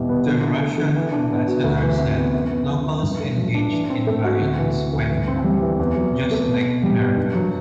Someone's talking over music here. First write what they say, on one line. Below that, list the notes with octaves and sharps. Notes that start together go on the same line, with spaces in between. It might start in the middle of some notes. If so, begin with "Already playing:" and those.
The Russian Ambassador said locals engaged in violence when drunk, just like Americans.
Already playing: E2 B2 G3 E4
B3
D3
E4
A3
D3
E3
D4
B3
F#4
D2
E3
C3
B3
F#2
B3
E3
E4
G2
A3
F#3
D4
E3
C4
A3
F#4
D2
E3
C3
D2
E3
C4
G3
E3
E2
F#3
C3
A3
B2
B3
G3
B2
G2
F#3